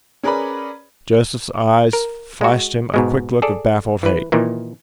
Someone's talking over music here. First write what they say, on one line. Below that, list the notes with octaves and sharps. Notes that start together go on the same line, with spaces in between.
Joseph's eyes flashed him a quick look of baffled hate.
C#4 G#4 A#4 B4 D5 B5
A#4
G#3 F#4
G#2 B2 G#3
G#4 A4 D5
E3 B4
A#2 D#3 E3